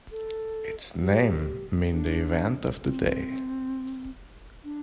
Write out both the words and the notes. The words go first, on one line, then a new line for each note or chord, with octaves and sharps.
Its name means "The event of the day".
A4
G4
D4
C4
D4